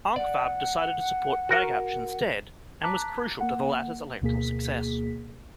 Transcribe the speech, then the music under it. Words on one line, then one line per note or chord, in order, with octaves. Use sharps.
Ankvab decided to support Bagapsh instead and was crucial to the latter's electoral success.
D5 F#5
F#4 A#4
A5 A#5 D6 F#6 B6
A#3 F#5
D2 B2 A#3 G#4 B6